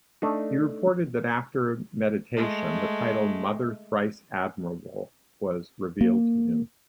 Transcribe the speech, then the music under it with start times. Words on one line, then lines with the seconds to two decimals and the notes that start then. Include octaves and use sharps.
He reported that after meditation, the title "Mother Thrice Admirable" was revealed to him.
0.22 A3 D4 D#4
2.37 G#3 A3
6.01 A#3